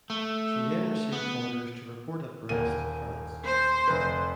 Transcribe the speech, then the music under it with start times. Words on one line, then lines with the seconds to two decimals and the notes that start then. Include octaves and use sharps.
She then received orders to report at Brest, France.
0.10 A3
1.12 B3
2.49 D#1 A#3 D#7
3.45 C5
3.88 F1 B4